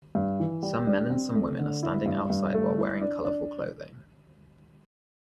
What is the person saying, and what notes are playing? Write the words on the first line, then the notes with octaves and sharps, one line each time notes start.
Some men and some women are standing outside while wearing colorful clothing.
G2
E3
G3
D4
C4
A3
D3
E4
G2
G2
A3
E4
D4
D4